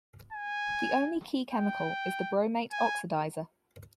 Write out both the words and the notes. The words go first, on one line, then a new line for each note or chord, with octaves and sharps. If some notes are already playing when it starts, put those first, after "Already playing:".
The only key chemical is the bromate oxidizer.
G#5
G5
G#5